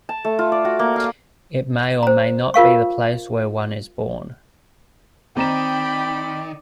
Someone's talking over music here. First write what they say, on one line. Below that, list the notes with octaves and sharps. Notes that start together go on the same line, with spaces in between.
It may or may not be the place where one is born.
A5
A3
F4
D5
F#4
A#3
F5
C5 A#5
F4 A#4 F5 C#6
D#3 C4 D5 G5 A#5 B5 D6 E7